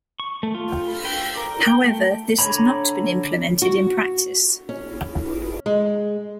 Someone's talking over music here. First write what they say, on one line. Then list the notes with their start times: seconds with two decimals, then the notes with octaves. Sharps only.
However this has not been implemented in practice.
0.20 C#6
0.43 A3
0.55 F4
1.05 G5
1.37 A#4
1.67 G5
1.84 A3
2.39 D3 C#5 A#5 B5
3.62 F#4
4.69 C#4
5.66 G#3